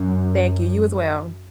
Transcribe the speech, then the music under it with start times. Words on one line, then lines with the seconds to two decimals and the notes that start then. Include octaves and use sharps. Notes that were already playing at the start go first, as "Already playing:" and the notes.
Thank you. You as well.
Already playing: F#2